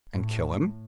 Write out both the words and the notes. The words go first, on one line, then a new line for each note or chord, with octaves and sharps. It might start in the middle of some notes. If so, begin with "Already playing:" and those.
"And kill him?"
A2